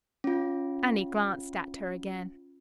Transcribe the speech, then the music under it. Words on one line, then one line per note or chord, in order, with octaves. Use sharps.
Annie glanced at her again.
C#4 F4